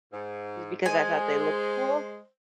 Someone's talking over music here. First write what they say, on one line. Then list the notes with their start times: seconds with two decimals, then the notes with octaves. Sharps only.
just because I thought they looked cool.
0.12 G#2
0.86 G#3 C5 G#5